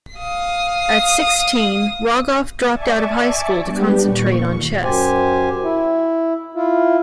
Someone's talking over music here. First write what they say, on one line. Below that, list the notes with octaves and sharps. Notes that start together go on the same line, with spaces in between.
At sixteen Rogoff dropped out of high school to concentrate on chess.
F5 D#6
D5 E5 G#5 A5 C#6 D6
G3 B3 D4 G4
D#2 A#2 C#6
F#2 G4 C5 G#5
E4
E4 F4